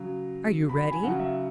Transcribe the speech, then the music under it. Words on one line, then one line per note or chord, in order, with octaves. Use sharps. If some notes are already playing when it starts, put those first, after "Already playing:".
"Are you ready?"
Already playing: C#3 F#3
B5
B5
G#5
C#3 F#3 F#5
E5